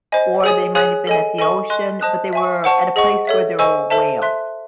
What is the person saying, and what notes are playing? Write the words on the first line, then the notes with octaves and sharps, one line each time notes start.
or they might have been at the ocean, but they were at a place where there were whales,
C5 D#5 G#5
G#4 C#5 G#5 D#6
G#4 C#5 G#5 D#6 F#6
A4 D#5 G#5
A4 D#5 G#5 C#6
D#5 G#5 C6 F#6
C5 D#5 A5 D#6 F#6
E5 G#5 C#6
C5 F#5 A5 C#6
G#4 D#5 F#5 C#6
A4 C#5 E5
C5 D#5 G#5 C#6 E6
A4 C5 E5 A5
E5 C6 F#6